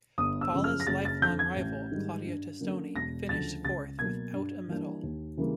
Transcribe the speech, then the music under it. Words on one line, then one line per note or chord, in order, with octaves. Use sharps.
Valla's lifelong rival, Claudia Testoni, finished fourth, without a medal.
G1 D#6
E6
F#2 C#3 F3
F6
A#6
F#1 A6
A6
F2 D3 G6
G#6
A1
G#2 D#3 G3
G2
D3 F#3 A#3 C#4
E1 A#6
D2 C#3 F3 A6
C#2 A6
B2 F#3 A#3 G#6
G2
E3 G3 A#3 D4
D#2
C#3 E3 G3 A#3